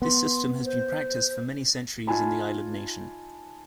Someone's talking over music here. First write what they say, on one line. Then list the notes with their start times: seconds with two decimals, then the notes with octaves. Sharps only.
This system has been practised for many centuries in the island nation.
0.02 B3 C6
0.65 C5
2.07 D#4 F4 G#5 A5 B5